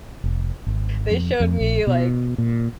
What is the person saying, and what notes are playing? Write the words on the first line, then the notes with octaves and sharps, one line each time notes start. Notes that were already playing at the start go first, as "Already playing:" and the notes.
they showed me, like,
F1
G#1
F2
F2
A#1
B2
A#2